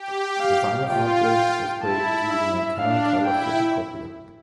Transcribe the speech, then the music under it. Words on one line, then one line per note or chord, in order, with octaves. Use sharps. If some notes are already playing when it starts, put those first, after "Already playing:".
The final artwork was created using a Canon colour photocopier.
Already playing: G4
F5
F4 G5
G5
E4 A5
E5
D4 F5
E4 G5